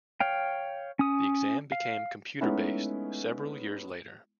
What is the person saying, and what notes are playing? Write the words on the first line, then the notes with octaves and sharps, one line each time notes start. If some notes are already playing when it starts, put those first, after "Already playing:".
The exam became computer based several years later.
C#5 F5 G5
C#4 D#6
F5
G#3 A3 B3 C#4 D#4 E4